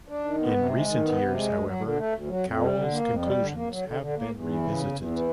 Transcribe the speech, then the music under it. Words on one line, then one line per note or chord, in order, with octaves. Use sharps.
In recent years however, Cowles' conclusions have been revisited.
D4
D#3
B3
C3
G#3
D#3
B3
C3
G#3
D2
F#3
D3
A3
D2
F#3
F2
G3
D3
A#3
F2
G3
D3
A#3
F#3
D3
D3
A#3
E2
E3
C#3
E2
E2
E3